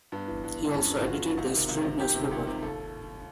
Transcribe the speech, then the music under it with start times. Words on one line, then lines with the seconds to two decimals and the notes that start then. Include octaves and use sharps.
He also edited the student newspaper.
0.12 G2 B3
0.28 E3
0.43 G2
0.59 E3
0.74 G2 C#4
0.90 E3
1.00 F4
1.06 G2 F#4
1.22 E3
1.37 C#2
1.53 C3 D#3
1.69 C#2
1.84 C3 D#3
2.00 C#2 G4
2.15 C3 D#3
2.31 C#2 G4
2.47 C3 D#3
2.62 D#2 A4